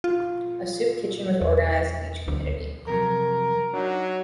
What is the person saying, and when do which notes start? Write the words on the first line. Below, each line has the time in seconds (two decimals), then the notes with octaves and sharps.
A soup kitchen was organised in each community.
0.04 F4
1.41 E2
2.28 D2
2.87 F2 C3 F#3 A#4
3.74 F#3 D4 D#4